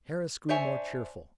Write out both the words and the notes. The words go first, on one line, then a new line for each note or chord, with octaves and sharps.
Harris grew more cheerful.
D4 C5 C#5 E5 G#5